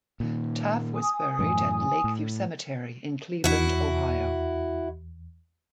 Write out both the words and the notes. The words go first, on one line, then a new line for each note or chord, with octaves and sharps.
Taft was buried at Lake View Cemetery in Cleveland, Ohio.
A#2 D#3
G#5 D#6
F#2 A2 E3
A2
E2 E4 F#4